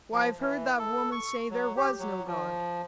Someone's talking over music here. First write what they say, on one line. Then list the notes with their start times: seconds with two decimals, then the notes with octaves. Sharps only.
Why, I've heard that woman say there was no God.
0.12 F3
0.40 E3
0.79 A4
1.12 C#6
1.50 F#3
1.77 G4
1.99 F#3
2.27 F3